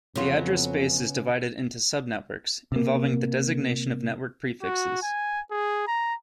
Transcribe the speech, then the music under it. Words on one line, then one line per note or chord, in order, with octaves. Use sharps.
The address space is divided into subnetworks, involving the designation of network prefixes.
F2 C#3 F#3 B3 F4
C3 A#3
F#4
G#5
G#4
A#5